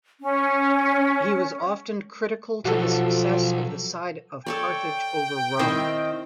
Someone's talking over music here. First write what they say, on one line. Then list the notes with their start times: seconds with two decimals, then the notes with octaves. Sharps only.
He was often critical to the success of the side of Carthage over Rome.
0.21 C#4
2.65 B1 F3 F#4 A4
4.46 A4 C#5 D5 G5
5.59 D#3 C4 E4 C5